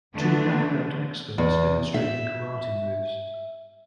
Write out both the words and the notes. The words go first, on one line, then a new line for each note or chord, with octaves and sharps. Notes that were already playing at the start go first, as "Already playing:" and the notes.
Two black belt experts demonstrating karate moves.
D3 E3 A3 B3 D4
E2
E5